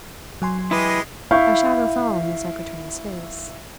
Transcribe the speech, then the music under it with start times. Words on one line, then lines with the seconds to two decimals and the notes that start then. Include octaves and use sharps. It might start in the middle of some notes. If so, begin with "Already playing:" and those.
A shadow fell on the secretary's face.
0.42 F#3 G#5 C6
0.71 G#3 E4 G4 B4 D#5
1.31 E4 F5 B5 C#6 G6